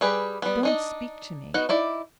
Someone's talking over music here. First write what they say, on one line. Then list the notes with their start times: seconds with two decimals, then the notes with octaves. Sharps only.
Don't speak to me.
0.01 G3 G4 G#4 B4
0.42 G3 B3
0.63 D4 D#4 D#5
1.54 B3 D#4 F#4 F#5
1.69 D#4 E4 D5